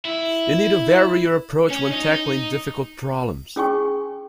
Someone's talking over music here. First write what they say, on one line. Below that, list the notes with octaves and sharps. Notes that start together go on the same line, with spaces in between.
You need to vary your approach when tackling difficult problems.
E4
C#4
D#4
C#4 G#4 G5 G#5 C#6